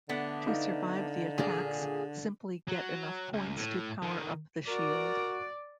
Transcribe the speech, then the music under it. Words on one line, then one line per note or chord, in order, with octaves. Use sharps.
To survive the attacks simply get enough points to power up the shield.
D3 A3 B3 D4
D#4 F5
A#2 D4 G#4
F#3
C#2
A2
D3 D#3
F#4 A#4 D5